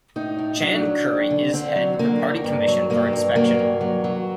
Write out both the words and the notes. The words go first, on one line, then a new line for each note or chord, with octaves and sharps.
Chan Kiri is Head of the Party Commission for Inspection.
A2 D#4
A2
F#3 D4
F#3
D#2
D3
D3 C4
F#3
D3 A#3
D#2
G2
F#3
G2 A#3
G2
F#3 A#3
G2
F#3
F#3